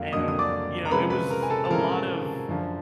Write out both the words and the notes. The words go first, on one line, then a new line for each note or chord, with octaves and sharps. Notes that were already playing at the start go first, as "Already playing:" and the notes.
and, you know, it was a lot of
Already playing: F2 D3 F#3 A#3 F5
F2 D3 F#3 A#3 D#5 D#6
D#6
D5 D6
A#5
C3 F3 G#3 C#4 B4 B5
B4 B5
A#4 A#5
G#5
A4 A5
A5
C3 F3 G#3 C#4 A#4 A#5
F#2 D3 F3